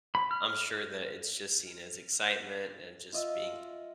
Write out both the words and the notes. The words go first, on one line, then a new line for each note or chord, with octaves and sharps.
I'm sure that it's just seen as excitement and just being
B5
F6
F4 D#5 E5